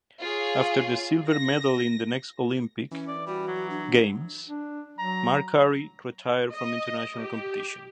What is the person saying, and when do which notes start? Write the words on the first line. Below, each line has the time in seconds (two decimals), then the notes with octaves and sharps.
After the silver medal in the next Olympic Games, Marcari retired from international competition.
0.20 F4 G#4 C#5
1.29 A#6
2.91 E3 C#4
3.08 D5
3.27 G3 F#4
3.48 F#3
3.70 D4
4.48 D4
4.98 F#3 A#5
6.51 D#5
7.20 G4